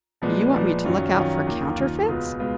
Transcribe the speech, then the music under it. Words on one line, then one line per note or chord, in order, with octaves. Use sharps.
"You want me to look out for counterfeits?"
A#2 F3 G#3 B3
A#2 F3 G#3 B3
F#2 D#3 F#3 C#4 F4
F#2 D#3 F#3 C#4 F4
D#2 D#3 A#3 F4
D#2 D#3 A#3 F4
C#2 B2 G#3 B3 F4
B2 G#3 B3 F4